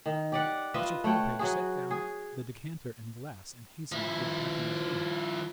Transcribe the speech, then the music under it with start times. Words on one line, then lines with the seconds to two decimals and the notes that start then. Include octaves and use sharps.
Mr. Quarterpage set down decanter and glass and hastened to give Breton his hand.
0.06 D#3
0.32 G4 D5 F#5
0.74 F4 B4 D#5 E5
1.04 A3 C#5 F#5 G5
1.39 F#3 F#4 G#4
1.91 G#4
3.92 F3 E4